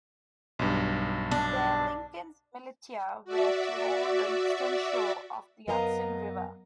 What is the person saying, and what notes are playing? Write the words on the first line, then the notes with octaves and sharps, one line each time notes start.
There Lincoln's militia were to hold the eastern shore of the Hudson River.
B1 G2
D4
F#4 D5 E5
F#2 B3 A#4 D#5 F5 A#5